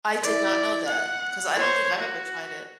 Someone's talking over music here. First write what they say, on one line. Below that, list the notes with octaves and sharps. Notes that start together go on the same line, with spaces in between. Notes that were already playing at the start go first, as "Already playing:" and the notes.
I did not know that, 'cause I don't think I've ever tried it.
E4 D5
F#5
C5 C#5
F#4